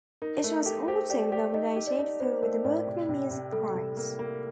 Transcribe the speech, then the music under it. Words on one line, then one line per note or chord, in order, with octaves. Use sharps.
It was also nominated for the Mercury Music Prize.
D#4 A#4
A3 A#4
G4 A4
G4 C5
G4 D5
G4 D5
D#4 D#5
G4
D5
D#4
D#4 C5
A3 A#4
A2 D5
C3
C3
C3
G3 A4
C3
A#3
A#3